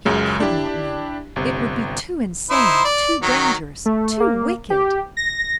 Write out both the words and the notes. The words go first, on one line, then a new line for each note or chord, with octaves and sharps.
He could not know; it would be too insane, too dangerous, too wicked.
C#2 F#2 C#3 G#3
D4 E4 G4
G1 C3
D#4 E4 C5
D5
D#3 F#3
A3
A#3
G4
A#6